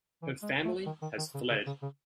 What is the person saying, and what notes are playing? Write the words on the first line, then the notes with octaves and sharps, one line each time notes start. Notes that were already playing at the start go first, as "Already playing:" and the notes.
Her family has fled.
E3
G#3
A3
D#3
D#3
D#3
C#3
C#3
C#3
C#3